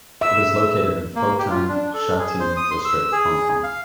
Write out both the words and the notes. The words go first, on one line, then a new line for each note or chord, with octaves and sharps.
It is located in Fo Tan, Sha Tin District, Hong Kong.
E5 E6
A#3
G4
F4
D4
A4
G#4
C5
D#6
C6
E6
G#4
F5